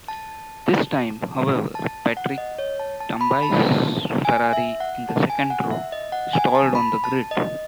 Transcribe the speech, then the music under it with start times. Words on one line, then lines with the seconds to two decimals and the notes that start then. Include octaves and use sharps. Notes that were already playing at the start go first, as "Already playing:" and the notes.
This time, however, Patrick Tambay's Ferrari, in the second row, stalled on the grid!
0.08 A5
1.75 A5
2.17 F#5
2.38 D#5
2.59 C#5
2.80 A5
3.00 A5
3.21 B5
3.43 A5
4.25 G#5
4.53 E5
4.80 F#5
5.09 A5
5.30 G#5
5.50 F#5
5.71 E5
5.92 D#5
6.12 F#5
6.33 G#5
6.55 A5
6.75 B5
7.04 A5
7.31 D#5